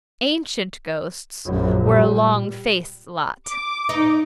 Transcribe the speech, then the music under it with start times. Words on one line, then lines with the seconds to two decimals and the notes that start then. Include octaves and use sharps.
Ancient ghosts were a long-faced lot.
1.45 A#1 F#2
1.83 A#2 G3
3.47 D6
3.89 D#4